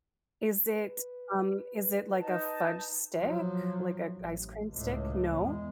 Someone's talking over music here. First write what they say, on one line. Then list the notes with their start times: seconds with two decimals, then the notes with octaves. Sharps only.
Is it, um is it, like, a fudge stick? Like, a ice cream stick? No?
0.71 B4
2.19 D#4 A5
3.17 F3 F#3
4.17 A1
4.70 C#2 A2
5.37 E2 G#3